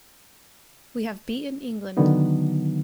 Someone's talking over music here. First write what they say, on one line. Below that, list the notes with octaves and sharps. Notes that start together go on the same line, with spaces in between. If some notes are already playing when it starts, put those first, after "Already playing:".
We have beaten England!
D3 D#3 F#3 B3 D#4